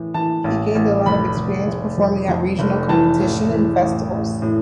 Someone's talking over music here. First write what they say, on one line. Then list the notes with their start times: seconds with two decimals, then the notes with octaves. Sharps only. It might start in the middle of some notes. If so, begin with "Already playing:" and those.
He gained a lot of experience performing at regional competitions and festivals.
Already playing: A2 E3
0.14 E3 A5
0.44 A1
0.75 A1
1.06 F1 B5
1.37 F1
1.67 F1
1.98 F2
2.29 F2
2.59 F1
2.89 E3 A5
3.20 A1
3.50 E3
3.81 A1
4.11 A1
4.42 A2